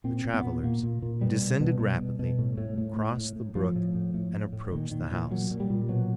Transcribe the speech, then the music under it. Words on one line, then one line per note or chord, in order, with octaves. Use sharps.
The travelers descended rapidly, crossed the brook, and approached the house.
A#2 C4
A#2
B3
A#2
A#2 A#3
A#2
A#2
B2 G3
B2
B2
B2
B2
B2
A2
A2
A2
A2
A2
A2
A2 F3
A2
A2
A2
A2
A2
A#2 D#3
A#2 D#3
A#2 E3
A#2 F#3
A#2
G3
A#2
B2 F#3